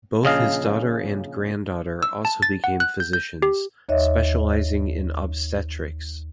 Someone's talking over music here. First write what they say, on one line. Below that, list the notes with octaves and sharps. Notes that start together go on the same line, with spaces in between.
Both his daughter and granddaughter also became physicians, specializing in obstetrics.
A#1 C#3 D#5 F5
E6
A5
A6
F#5
F#6
G6
G6
G4
D#2 C#5 D#5 E5